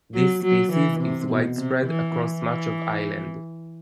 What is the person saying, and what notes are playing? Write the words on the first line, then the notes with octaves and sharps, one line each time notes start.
This species is widespread across much of Island.
F#3
F#3
E3
C3
B2
C3
E3
E3